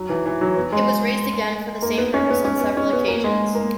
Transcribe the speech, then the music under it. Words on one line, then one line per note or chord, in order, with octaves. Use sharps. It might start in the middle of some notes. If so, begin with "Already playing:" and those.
It was raised again for the same purpose on several occasions.
Already playing: F#3
E3
E3
F#3
B3
G#3
A#3
B3
C#4
B3
C#4
B3
C#4
B3
A#3
G#3
A#3